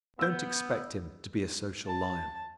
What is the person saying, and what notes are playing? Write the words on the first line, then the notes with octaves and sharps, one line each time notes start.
Don't expect him to be a social lion.
B3 E6 G6
A5